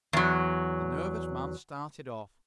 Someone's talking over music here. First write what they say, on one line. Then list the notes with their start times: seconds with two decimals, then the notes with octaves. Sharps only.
The nervous man started off.
0.13 E2 F#3